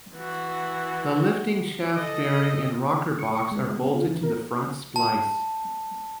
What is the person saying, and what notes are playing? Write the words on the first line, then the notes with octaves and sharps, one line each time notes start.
The lifting-shaft bearing and rocker-box are bolted to the front splice.
E3 F#4
A4 D#5
C#6
C#6
G#3
B3
F4
E3
A#4
A5